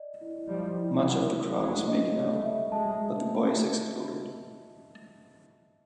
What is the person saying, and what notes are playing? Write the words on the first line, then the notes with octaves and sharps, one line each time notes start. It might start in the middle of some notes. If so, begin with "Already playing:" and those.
Much of the crowd is making out, but the boy is excluded.
Already playing: D5 D#5
E4
F3 G3 D5
E4
E3 F#3 F#5
F#5
F#3 G#3 D#5
D#5
G3 A3 C#5
E5
F#3 G#3 A5